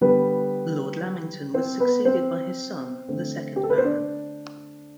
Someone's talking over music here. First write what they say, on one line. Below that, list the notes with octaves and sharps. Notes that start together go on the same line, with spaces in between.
Lord Lamington was succeeded by his son, the second Baron.
D3 G3 B3 B4
C4 C5
B3 B4
C4 C5
D3 A3 C4
G4
A4
B4
C5
D4 D5